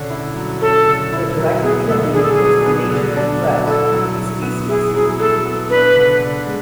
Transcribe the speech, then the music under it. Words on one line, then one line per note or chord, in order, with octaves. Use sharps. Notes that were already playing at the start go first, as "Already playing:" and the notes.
The direct killing is the major threat to the species.
Already playing: D3 C#4
E4
F#3
C#4 A4
D3
E4
F#3
B3 G#4
D3 A4
D4 G#4
A4
G#4
F#3
B3
D3
D4
F#3
E4 A4
F#3
F#3
B3
E4 G#4
F#3 G#4
F#3 A4
B3
D4 B4
D3
D3
G#3